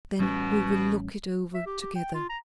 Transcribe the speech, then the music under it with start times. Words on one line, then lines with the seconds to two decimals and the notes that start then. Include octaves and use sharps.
Then we will look it over together.
0.20 A1 B2 G3 C#4
1.55 E5
1.66 G4
1.81 G4
1.96 G5
2.14 F4
2.30 A#5